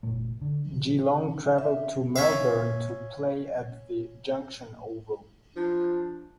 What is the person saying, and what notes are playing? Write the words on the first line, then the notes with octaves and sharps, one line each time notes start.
Geelong travelled to Melbourne to play at the Junction Oval.
F1 F2 A#2 A3
D3
C#3 E3
E5
C#4 E5 F5
F3 D4